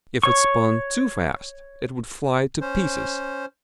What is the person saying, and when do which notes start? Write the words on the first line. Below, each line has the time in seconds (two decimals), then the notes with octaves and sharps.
If it spun too fast it would fly to pieces.
0.23 C#5 C#6
2.61 C#4 C5